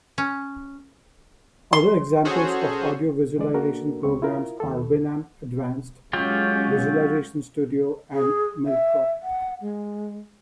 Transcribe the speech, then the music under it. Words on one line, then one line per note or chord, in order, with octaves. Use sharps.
Other examples of audio visualization programs are Winamp Advanced Visualization Studio and MilkDrop.
C#4
C6
C#4 F#4 G#4 A4 C5 C#5
E3 G#3 D5
A#3 D4 F#4 A4 A#4
C#2 C4 C#6
E4 F4 A#4
D#2 A4
F#3 G#3 C#4 F4 G4
G#4
E5
F#5
G#3